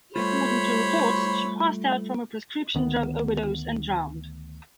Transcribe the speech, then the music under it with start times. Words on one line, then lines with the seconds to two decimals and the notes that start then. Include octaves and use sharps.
According to reports, she passed out from a prescription drug overdose and drowned.
0.16 G3 A3 F4 C5 C#5 B5
2.75 D2 D#3 B3